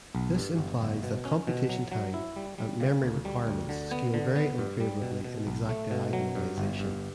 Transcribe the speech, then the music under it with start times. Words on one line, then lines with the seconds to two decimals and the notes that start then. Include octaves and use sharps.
This implies that computation time and memory requirements scale very unfavorably in exact diagonalization.
0.15 B1
0.36 G2
0.58 G1
0.81 G1
1.04 B2
1.25 C#4
1.47 B2
1.69 F#3
1.92 F#3
2.14 E4
2.36 G3
2.58 G3
2.80 C#3
3.03 D2
3.25 G3
3.47 D2
3.69 D3
3.91 B3
4.14 D3
4.36 B3
4.58 G2
4.80 G3
5.02 B2
5.24 B2
5.47 B1
5.69 A3
5.91 B2
6.13 F#3
6.35 G2
6.58 G1
6.79 G2